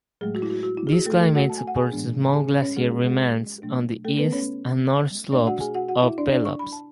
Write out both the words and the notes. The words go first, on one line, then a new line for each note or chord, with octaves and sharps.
This climate supports small glacier remnants on the east and north slopes of Pelops.
A2 F#3 G#3 A3 G#4
F#4
E4
F#4
F#4
E4
G#4
F#4
A3 A4
A3 A4
F#4 F#5
A5
G#5
F#5
G#4 G#5
A2 E3 G#3 B3 D4
A5
G#4 G#5
C#4 C#5
C#4 C#5
G#3 G#4
F#4
G#3 G#4
B2 F#3 A3 D4
A3 A4
B3 B4
C#4 C#5
B2 A3 D4 D5
F#4 F#5
G#4 G#5
F#4 F#5
F#4 F#5
E4 E5
D4 D5
D4 D5
C#6
B5
A5